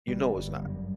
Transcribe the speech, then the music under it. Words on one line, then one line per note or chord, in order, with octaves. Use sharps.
you know it's not,
G1 G3
G1
F#2